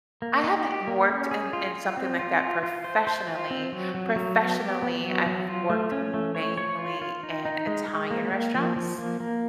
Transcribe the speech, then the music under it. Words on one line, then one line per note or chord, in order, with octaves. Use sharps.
I haven't worked in in something like that professionally. Professionally, I've worked, mainly, in Italian restaurants,
A#3
D#4
G4
A#3
C#4
G#4
F4
F4
C4
F4
F4
F4
C5
C5
F4
C4
F#3
F#3
F#3
B3
G4
B3
F#3
F#3
F4
A3
C#4
A3
C#5
C#5
F4
F4
D#4
D#4
G#3
G#3
A#3
A#3
F3
F3
A#3
A#3